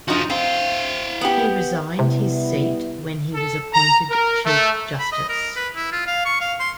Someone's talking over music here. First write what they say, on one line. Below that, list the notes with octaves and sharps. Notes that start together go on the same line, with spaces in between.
He resigned his seat when he was appointed Chief Justice.
F3 D#4 F#4 G#4
C4 E4 F5
B3 G4
C3 G3 B3 E4
A4
A#5
A#4
A3
B5
D#5
A#4
B4
E4
F4
F5
C#6
F5
C6